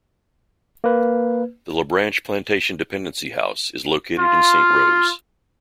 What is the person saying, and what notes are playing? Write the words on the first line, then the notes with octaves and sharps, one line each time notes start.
The LaBranche Plantation Dependency House is located in Saint Rose.
A#3 B4
F4